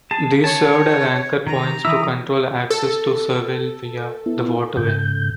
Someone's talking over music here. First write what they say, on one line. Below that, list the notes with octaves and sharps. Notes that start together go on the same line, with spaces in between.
These served as anchor points to control access to Seville via the waterway.
G#4 A5
C#5 A5
D#3 A#5
E3 E4 D#6 E6
A4
B3 E4
G#2 C#3 G6